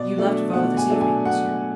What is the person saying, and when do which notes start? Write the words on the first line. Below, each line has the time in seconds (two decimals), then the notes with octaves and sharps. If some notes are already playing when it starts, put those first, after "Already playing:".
"You left Vaux this evening, monsieur?"
Already playing: B2 D5
0.18 F#3 A3 D4
0.53 B2 F#5
0.77 G#5
0.89 F#3 A3 D4
1.01 G#5
1.25 B2 F#5